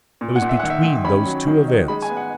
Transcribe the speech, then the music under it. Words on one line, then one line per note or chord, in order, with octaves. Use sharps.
It was between those two events.
A#2
F#5
A#2
E5
D#3 F#5
E5
D#3
C#4 B5
F#3
D#3
D#4
G#3 B5
G#5
B3
F#5